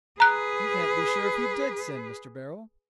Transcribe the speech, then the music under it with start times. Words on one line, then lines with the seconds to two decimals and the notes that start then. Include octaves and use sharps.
"You can't be sure if he did sin, Mr. Beryl."
0.20 G#4 B4 A#5 F#6